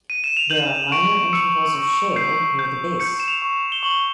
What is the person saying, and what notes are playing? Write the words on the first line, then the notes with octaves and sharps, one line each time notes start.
There are minor intervals of shale near the base.
D#7
E7
F7
G6 F#7
C#6 D7
E6 C#7
C#6
G6 C7
G6
G6 C#7
E7
F7
C#6
G7
C#6 F#7